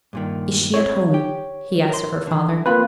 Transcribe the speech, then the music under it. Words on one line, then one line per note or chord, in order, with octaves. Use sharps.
Is she at home?' he asked of her father.
G2 A#2 D#3
C4 E4 C#5
G4
A#4 C6
D3 E3
A#3 C4 F4 B4 B5